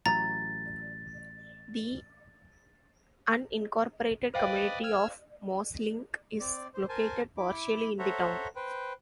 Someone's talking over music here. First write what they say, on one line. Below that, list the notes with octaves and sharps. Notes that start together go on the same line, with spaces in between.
The unincorporated community of Mosling is located partially in the town.
A1 A2 F#3 A#5 A6
B4 C5 D5 D#5 F5 G5
E6 F6 G#6
C4 D5
C5
A#4 C5 G#5 A5
E4 D6
A4 C5 C#5 E5 F#5 A#5
B4 C5 G5